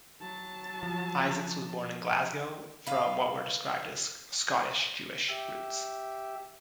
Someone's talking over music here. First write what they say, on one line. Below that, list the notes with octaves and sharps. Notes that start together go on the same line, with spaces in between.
Isaacs was born in Glasgow from what were described as "Scottish Jewish roots".
F#3 A5
F3
B4 F5
G4 E5